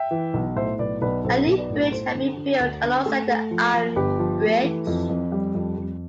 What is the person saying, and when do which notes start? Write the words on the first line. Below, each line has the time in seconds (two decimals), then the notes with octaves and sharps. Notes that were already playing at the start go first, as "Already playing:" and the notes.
A new bridge had been built alongside the iron bridge.
Already playing: E5 G5
0.11 E3
0.34 B1
0.56 A2 C5 E5
0.79 B1 B4 D5
1.01 B1 B4 D5
1.24 B1 A4 C5
1.47 B1
1.58 B4 D5
1.70 A2
1.92 A3 A4 C5
2.15 D3
2.37 D3
2.60 D2
2.83 D3
3.06 A3
3.28 A3
3.51 F3
3.74 F3
3.96 G1 G4 B4
4.19 F3
4.41 A3
4.64 E3
4.87 F2
5.09 F2
5.32 G3
5.55 F2
5.77 F2